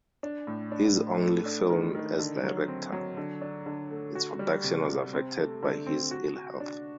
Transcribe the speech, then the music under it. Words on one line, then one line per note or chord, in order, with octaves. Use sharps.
His only film as director, its production was affected by his ill health.
D4
A2
D4
A2
A3
D4
D#3
D#3
D3
F#3
C4
F#3
D3
D4
D3
A3
F#4
G3
C3
C3
C4
A3
D3
C4
F#4
F#4
D4